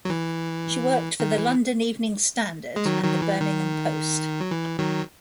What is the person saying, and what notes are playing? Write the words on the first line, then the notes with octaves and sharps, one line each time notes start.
She worked for the "London Evening Standard" and the "Birmingham Post".
F#3
E3
D#3
E3
G#3
D#3 F#3
D#3 F#3
E3
D#3
F#3
E3
D#3 F#3